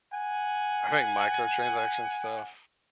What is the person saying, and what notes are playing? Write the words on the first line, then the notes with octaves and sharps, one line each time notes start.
I think microtransaction stuff
F#5 G#5